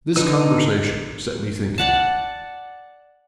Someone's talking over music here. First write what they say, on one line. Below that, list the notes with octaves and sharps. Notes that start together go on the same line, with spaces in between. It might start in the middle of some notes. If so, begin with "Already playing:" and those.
This conversation set me thinking.
D3 D#4 B4 E6
D5 F#5 A5